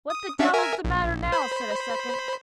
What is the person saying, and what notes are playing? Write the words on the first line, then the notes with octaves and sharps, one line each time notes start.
"What the devil's the matter now!" said a second.
D#6
C#4 D4 E5
A#4 E5 G#5
A#1
C5 B5